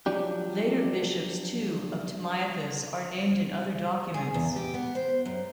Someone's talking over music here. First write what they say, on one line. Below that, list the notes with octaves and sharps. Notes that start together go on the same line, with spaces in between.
Later bishops too of Tamiathis are named in other documents.
F3 F#3 D4 G4
G#4
E2
G4
B3
C5
F#2